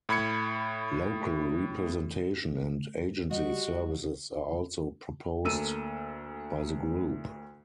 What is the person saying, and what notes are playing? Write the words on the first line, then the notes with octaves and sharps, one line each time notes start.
Local representation and agency services are also proposed by the group.
A2 B5 G#6 C#7
G3 F#4 D#5
D2 A#3 A4 E6 D#7